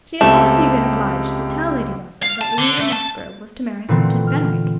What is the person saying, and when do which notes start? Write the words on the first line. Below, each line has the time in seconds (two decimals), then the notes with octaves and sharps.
She had already been obliged to tell Lady Russell that Louisa Musgrove was to marry Captain Benwick.
0.21 C#2 A3 C4 G4
2.22 F5
2.41 A5
2.58 D3
2.80 A3
2.93 A5
3.88 A#2 D3 E3 A3 B3 C4
4.27 F6